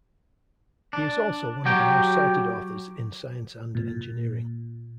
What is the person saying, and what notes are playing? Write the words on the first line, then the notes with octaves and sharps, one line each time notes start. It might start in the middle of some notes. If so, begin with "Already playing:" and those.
He is also one of the most cited authors in science and engineering.
D4
F#3 F#4 G4 G5
A#2